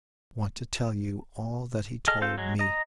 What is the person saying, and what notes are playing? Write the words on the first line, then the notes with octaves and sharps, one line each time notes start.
I want to tell you all that he told me.
G#4 A4 D#5 F6
C4 F4 A4 F5 G6
F#3 G#3
D#5 A#5